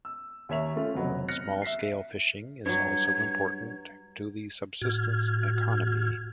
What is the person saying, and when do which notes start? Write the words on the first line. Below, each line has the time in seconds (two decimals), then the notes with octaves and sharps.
Small-scale fishing is also important to the subsistence economy.
0.05 E6
0.49 D#2 A#4 C#5 E5 A#5 F7
0.76 A3 C#4 F4
0.94 F1 C#2 F#3 B3 D#5
1.28 F6 F#6 A#6 C#7
1.62 E5 B6 C7
2.66 G2 F#3 G#6
4.81 A2 F#4 F6 G#6